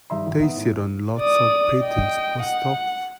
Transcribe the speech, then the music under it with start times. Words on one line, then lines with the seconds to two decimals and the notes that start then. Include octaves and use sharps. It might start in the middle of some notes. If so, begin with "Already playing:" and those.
They sit on lots of patents for stuff.
0.10 G2 D#3 D#4 E5 C6
0.26 A1 D#3
0.40 B3 D#4 E5
0.57 A2
1.19 D5 D#6
1.82 D#5 G5
2.43 F#5